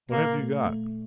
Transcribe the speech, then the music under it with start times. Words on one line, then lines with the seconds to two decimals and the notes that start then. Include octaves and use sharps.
"What have you got!"
0.11 A#2 A#3
0.38 A3
0.67 A3